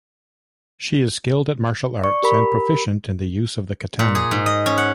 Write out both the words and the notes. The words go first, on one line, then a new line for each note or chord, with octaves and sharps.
She is skilled at martial arts and proficient in the use of the katana.
D5 C#6
G4 A#4 B5
A#2
G#4
G#2
D#5
C#4
F#5